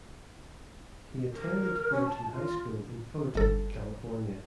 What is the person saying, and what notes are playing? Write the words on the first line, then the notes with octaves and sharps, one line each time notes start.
He attended Fullerton High School in Fullerton, California.
A#4
C#4
A5
F4
G1 A4